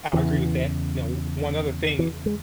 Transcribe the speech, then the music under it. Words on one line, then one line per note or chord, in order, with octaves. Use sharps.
I agree with that. Now, o one other thing,
E2 C#3 E3
E3
G#3